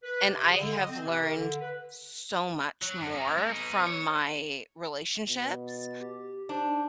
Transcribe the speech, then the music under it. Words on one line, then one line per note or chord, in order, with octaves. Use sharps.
and I have learned so much more from my relationships,
B4
C3
C#3
D3
D#5
C4
C3
A#4
D3
B4
F#3
F#2
C3 D#4
G#3
B2 D#4
C#5
B2
A6
G4
D4 D#4 C5